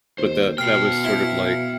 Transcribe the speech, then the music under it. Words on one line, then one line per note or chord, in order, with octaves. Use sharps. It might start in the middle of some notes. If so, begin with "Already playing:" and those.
but the that was sort of like,
D#2 C5
B2 F5 G5 F6 C7
E4